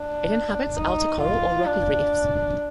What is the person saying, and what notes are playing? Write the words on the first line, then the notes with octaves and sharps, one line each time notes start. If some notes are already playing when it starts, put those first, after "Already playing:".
It inhabits outer coral or rocky reefs.
Already playing: D4
D#4
F4
D4